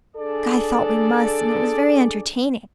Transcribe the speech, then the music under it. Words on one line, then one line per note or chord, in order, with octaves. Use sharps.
'Guy thought we must, and it was very entertaining.
D4 G#4 A4 D5